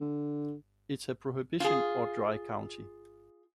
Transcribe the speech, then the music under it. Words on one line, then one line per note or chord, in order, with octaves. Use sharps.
It's a prohibition or dry county.
D3
F4 G#4